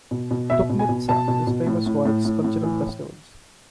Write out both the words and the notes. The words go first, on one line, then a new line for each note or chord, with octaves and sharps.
Dupnitsa is famous for its cultural festivals.
B2
B2
B2 E5
B2
G#5
B2
B2 A5
B2
B2
A2
A2
A2
A2
A2
E3